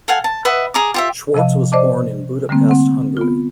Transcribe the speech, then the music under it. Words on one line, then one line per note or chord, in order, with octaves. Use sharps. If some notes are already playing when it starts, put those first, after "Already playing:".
Schwartz was born in Budapest, Hungary.
A4 F5 F#5 G#5
A5
B4 D#5 E5 F#5
G#4 A#5 D6
F4 G4 E5
C3 F3 D#5 F5 A5
C5 D5 D#5 A5 D6
D3 G3 A3 A#3 C4
C4 F#5
B3 F4